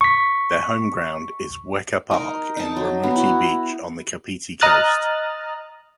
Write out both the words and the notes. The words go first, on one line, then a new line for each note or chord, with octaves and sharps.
Their home ground is Weka Park in Raumati Beach on the Kapiti Coast.
C#6 B6
D#4 A#4
D#4 A5
F#3
B3
E4 F#4
D#5 A#5 D#6 F6 F#6 A6